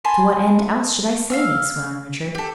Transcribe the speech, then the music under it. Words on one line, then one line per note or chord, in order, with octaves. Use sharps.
"To what end, else, should I say this?" went on Richard.
G#5 A5 B5 C6
F5 E6 F6
G4 A4